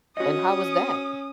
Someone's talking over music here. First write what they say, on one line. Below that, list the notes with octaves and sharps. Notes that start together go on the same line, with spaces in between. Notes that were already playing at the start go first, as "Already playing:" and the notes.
And how was that?
C#4 F#4 D#5 D#6